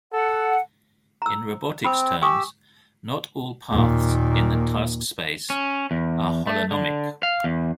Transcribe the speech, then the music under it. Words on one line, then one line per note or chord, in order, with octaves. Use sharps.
In robotics terms, not all paths in the task space are holonomic.
A4 F#5
A#5 E6
C4 B5 D#6
G4 G#5 C#6 D#6 E6
D#2 A#2
C#4
E2
A3
D3
F5
E2